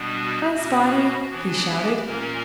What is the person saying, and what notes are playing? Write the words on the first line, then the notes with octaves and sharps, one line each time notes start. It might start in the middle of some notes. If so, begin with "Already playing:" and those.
"Hi, Spotty!" he shouted.
Already playing: B2 G3 B3 D4
F#4
B2 A#3 C#4 F#4
E3 B3 D4
G4
A#2 A#3 C#4 A#4